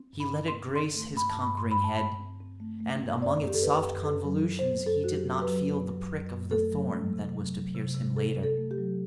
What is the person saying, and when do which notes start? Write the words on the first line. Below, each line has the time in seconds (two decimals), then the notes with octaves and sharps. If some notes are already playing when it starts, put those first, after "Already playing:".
He let it grace his conquering head, and, among its soft convolutions, he did not feel the prick of the thorn that was to pierce him later.
Already playing: C4
0.13 G2
0.20 B5
0.34 C4
0.48 C6
0.55 D3
0.76 C4 C6
0.95 A3
1.17 G2 B5
1.29 A5
1.36 G2
1.42 B5
1.57 G2 C6
1.71 B5
1.79 G2
1.84 A5
1.97 C4 B5
2.19 C4
2.40 C4
2.60 A3
2.81 A3
3.02 G2
3.22 F#2 D5
3.43 F#2 G4
3.54 A4
3.63 C4 B4
3.83 F#2
4.04 F#2 A4
4.24 F#3
4.45 F#3
4.59 C5
4.66 C4
4.86 F#2 A4
5.04 F#3 F#4
5.14 G4
5.29 F#3
5.42 B4
5.48 F#3
5.70 F#2
5.90 F#3
6.10 F#2
6.31 F#2
6.51 A3 A4
6.72 F#3
6.93 A3
7.13 C3
7.34 F#3
7.55 F#3
7.75 C3
7.95 C3
8.17 C3 A4
8.37 C3
8.43 A4
8.57 A3
8.71 G4
8.78 F#3